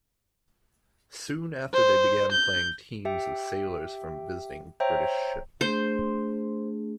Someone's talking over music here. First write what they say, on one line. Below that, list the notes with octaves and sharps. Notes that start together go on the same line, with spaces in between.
Soon after they began playing teams of sailors from visiting British ships.
C5
G6
G4 E5 G5
C5 C#5 E5 G5 A#5
A3 D4 G#4 C5